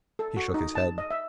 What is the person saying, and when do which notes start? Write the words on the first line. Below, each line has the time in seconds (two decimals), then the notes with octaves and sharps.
He shook his head.
0.19 A4
0.37 F#4
0.54 D#4
0.75 A5
0.98 D#5
1.11 E5